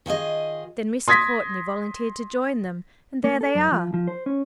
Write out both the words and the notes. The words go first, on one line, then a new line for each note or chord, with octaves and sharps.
Then Mr. Courtney volunteered to join them, and there they are.
D#3 F4 G#4 D#5
C6 D#6 G#6 A#6 B6
A#3
A4
F#2
F3
F3
C5
C#4